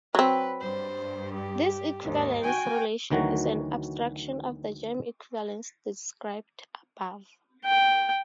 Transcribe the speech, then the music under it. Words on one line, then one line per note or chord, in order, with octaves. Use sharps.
This equivalence relation is an abstraction of the germ equivalence described above.
F#3 C4 B4
G2 C5
G4
D#2 G#2
F#4 G5 G#5
D2 D#3 E3 F#3 F#4 A#5
G5